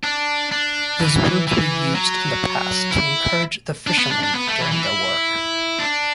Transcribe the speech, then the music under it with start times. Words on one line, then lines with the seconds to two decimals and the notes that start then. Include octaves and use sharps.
Those words were used in the past to encourage the fisherman during their work.
0.04 D4
0.52 D4
1.00 E3
1.47 E3
1.95 F#3
2.91 E4
3.87 D4
3.99 B3
4.11 D4
4.23 D4
4.35 B3
4.47 A3
4.60 E3
4.71 E3
4.82 E4
5.79 D4